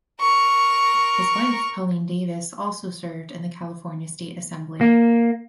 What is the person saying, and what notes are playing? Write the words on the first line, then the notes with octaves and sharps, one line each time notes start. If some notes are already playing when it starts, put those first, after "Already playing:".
He wife Pauline Davis also served in the California State Assembly.
A#4 C#6
A#3